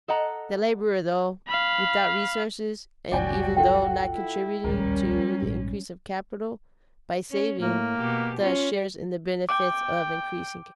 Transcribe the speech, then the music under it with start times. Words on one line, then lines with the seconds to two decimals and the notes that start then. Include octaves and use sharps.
The laborer, though without resources and even though not contributing to the increase of capital by saving, thus shares in the benefit of increasing capital.
0.08 A4 D#5 F#5 A#5
1.48 F5 B5
3.12 F#1 C#2 A2 F#3 F#4 D5 G5 G#5
3.57 F4 A4 F#5 G5
4.14 E4
4.64 D1 A#1 D#2 G3 C#4 A#4
5.42 A#1 G#2
7.31 C#4
7.61 A2 A#3
7.96 B2 G4
8.41 C#4 F4
9.49 G5 D6